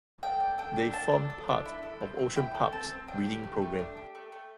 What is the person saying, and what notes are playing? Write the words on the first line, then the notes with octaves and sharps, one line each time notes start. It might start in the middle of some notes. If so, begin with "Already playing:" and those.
They formed part of Ocean Park's breeding programme.
A4 G5
D4
A4 G5
D4
A4 A5
D4
A4
D4
E4
A4
C4
C4
E4 G5
A4
C4 A5
C4
D4 G5
G4
A3
A3
D4
G4
A3
A3